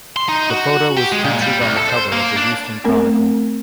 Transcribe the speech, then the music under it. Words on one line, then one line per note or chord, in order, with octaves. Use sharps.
The photo was featured on the cover of the "Houston Chronicle".
C6
D#4
F#4
G4
G#3
A#2
G3
C2
A4
C5
A#3
D4
A3 B3 C4 A#4